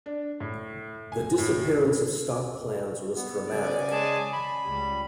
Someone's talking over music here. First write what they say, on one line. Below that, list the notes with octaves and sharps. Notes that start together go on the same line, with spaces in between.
The disappearance of stock plans was dramatic.
D4
A2
G#5
A2
B3
C#3 D5 G#5
G#3 G#4 A5
B5
C#2 G3